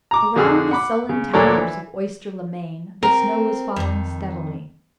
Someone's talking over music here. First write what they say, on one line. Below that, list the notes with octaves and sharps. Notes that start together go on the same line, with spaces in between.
Around the sullen towers of Oyster-le-Main the snow was falling steadily.
A#5 D6
F2 D3 F#4 G#4 E6 F6
F#5 B5 D6
C#3
D2 A#2 D4 A4 A#4 C#5
E3
C4 A#4
F2 D#3